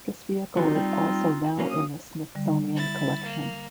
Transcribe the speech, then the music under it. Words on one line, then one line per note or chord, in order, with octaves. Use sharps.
This vehicle is also now in the Smithsonian collection.
D#2 F#3 C4 D#4 F4
G3
F#3 A#3 C#4
D#6
D3 G3
E4 A6
A#3